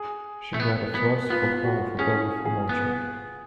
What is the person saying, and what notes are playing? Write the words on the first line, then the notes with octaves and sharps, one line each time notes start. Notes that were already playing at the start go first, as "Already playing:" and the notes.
She got a first for her photography module.
Already playing: G#4
A3
B3
B3
B3 F4
F#4
C#4 G#4
G#4
B3